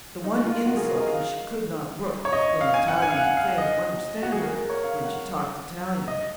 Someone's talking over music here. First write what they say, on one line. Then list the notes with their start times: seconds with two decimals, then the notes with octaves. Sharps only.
The one insult which she could not brook was for an Italian to fail to understand her when she talked Italian.
0.24 D#4
0.45 F4
0.66 F#4
0.71 A#4
0.77 G#4
0.86 A#4
0.97 D#5
1.08 F5
2.25 C#5
2.33 D#5
2.61 F5
2.74 G#5
2.88 F#5
3.02 G#5
3.11 F5
3.17 F#5
3.37 F5
3.58 D#5
4.22 F#4
4.32 G#4
4.42 A#4
4.55 A#4
4.69 C#5
4.84 F5
5.03 F#5
6.08 D#5